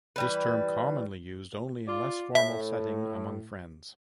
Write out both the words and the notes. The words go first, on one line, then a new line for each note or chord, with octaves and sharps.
This term commonly used only in less formal setting among friends.
E3 G3 B4
F4 D5
A2 E5